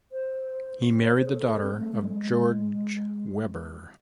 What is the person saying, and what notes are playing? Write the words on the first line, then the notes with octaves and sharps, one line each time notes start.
He married the daughter of Georg Weber.
C5
C#5
C5
G#4
A4
A4
C4
G#3
A3
G#3
F#3
G#3